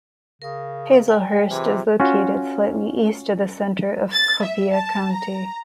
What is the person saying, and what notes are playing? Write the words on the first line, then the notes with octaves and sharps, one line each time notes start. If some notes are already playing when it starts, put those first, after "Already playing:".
Hazlehurst is located slightly east of the center of Copiah County.
C#3 A#4 D#6
D5 G5 G#5
C3 E3 F4 G#4
C#4 F4 F#4
A6
E5
A5
A#5